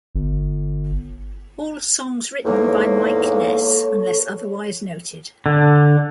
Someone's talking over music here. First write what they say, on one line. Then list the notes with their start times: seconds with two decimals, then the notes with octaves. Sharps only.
All songs written by Mike Ness unless otherwise noted.
0.15 G1
2.45 E2 G#2 A#3 A4 C#5
5.46 D3